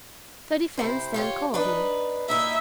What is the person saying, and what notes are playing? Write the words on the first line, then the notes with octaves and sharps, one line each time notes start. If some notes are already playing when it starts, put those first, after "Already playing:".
The defense then called me.
C3 E4 C5
F4 G4 C#5
D4 D#4 B4
A#2 D#4 E4 E5